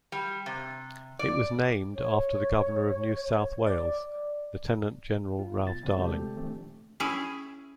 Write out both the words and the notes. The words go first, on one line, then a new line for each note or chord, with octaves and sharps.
It was named after the Governor of New South Wales Lieutenant-General Ralph Darling.
G3
C3
D5
C#5
D5
F4
B2 A6
A#1 C#3 D5
C3 G#3 A3 C4 G4
A#1 D#3 A3 C4
C#4 E4 G#4